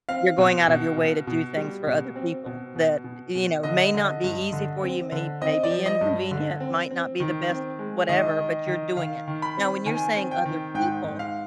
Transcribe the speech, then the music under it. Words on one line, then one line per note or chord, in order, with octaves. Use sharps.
You're going out of your way to do things for other people that, you know, may not be easy for you, may may be inconvenient, might not be the best whatever, but you're doing it. Now, when you're saying "other people,"
C4 F5
B2
B2
B2
B2
G3
B2
C4
B2
B2
B2
B2
D3 D#5
D3
G2
D3
C4
D3
C4 D#5
D5
F3
D#5
G2
D3
C4
C4
D#3
C4
G#3
D#3 D#5
D#3
D#3
D#3 F5
D#3
B5
C4
D#3 G#5
C4
G5
D#3
G#2 G5
G#2
F5